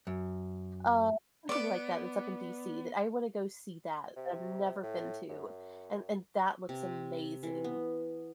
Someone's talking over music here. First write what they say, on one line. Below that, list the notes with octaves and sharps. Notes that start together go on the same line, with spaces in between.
Uh, something like that that's up in DC that I wanna go see that, that I've never been to, and and that looks amazing.
F#2
B3 D5 D6
C3
A2
F#2
C3
E3
B3